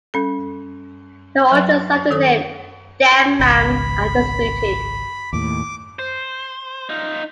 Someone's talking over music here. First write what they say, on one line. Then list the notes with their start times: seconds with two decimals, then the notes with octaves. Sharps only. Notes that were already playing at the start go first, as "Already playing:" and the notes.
The origins of the name "Dammam" are disputed.
0.14 G3 C#4 A4
1.52 F#3 B4 F#6
2.11 D#3 A4 D#6
3.39 G#1 C#2 B5
5.33 D#2 A2 D6
5.99 C5
6.89 D#4 F4